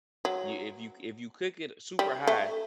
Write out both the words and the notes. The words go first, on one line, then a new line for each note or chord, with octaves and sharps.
You if you c if you cook it super high,
F#3
G3
A3